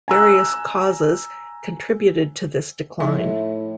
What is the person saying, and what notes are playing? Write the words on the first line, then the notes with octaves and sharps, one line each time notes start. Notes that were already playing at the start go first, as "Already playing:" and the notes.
Various causes contributed to this decline.
G#5 A#5 E6 F#6
A2 F3 D#4 E5